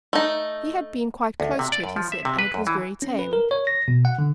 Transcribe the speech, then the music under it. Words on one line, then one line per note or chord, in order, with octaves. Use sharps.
He had been quite close to it, he said, and it was very tame.
A3 D#4
D2
C3
D5
F#2
F3
E5
C3
B4
F#2
E3
C#4
B4
A#4
C#5
A#6
B2
F#5
D3